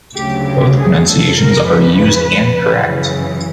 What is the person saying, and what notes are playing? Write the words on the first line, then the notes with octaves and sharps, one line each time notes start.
Both pronunciations are used and correct.
D2 C#3 F#3 G4
G4
G#4
A4
F2 C#3 F3 A#4
B4
F#2 C#3 E3